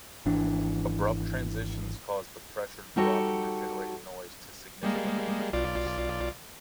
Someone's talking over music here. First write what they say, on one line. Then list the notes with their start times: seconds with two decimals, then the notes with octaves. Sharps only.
Abrupt transitions cause the pressure drop and regenerated noise to significantly increase.
0.26 G#1 E3 D4
2.96 G3 D#4 F#4 G4 A4 C#5
4.83 G3 G#3 A#3
5.53 B1 F4 D5